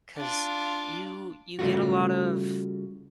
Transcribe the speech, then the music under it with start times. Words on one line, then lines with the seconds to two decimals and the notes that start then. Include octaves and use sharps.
'cause you you get a lot of
0.17 D4 F4
1.59 C#3 G3 A3 F4 F#4